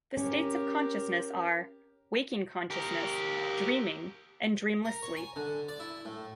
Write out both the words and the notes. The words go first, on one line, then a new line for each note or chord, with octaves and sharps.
The states of consciousness are: waking consciousness, dreaming, and dreamless sleep.
C#4 G4 A#4
G4 A#4
A#4
C#5
G#5
D3
D5
E4
A2